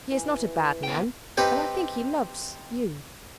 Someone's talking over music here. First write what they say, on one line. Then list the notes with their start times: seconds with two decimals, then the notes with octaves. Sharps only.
"He is not a bad man and I think he loves you."
0.11 E3
0.84 B2 G5
1.37 C4 D#4 G4 B4